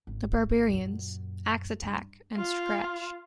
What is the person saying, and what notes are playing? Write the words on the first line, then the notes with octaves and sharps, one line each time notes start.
"The Barbarians", "Axe Attack" and "Scratch".
G#1
F#2 A#2
G2
F4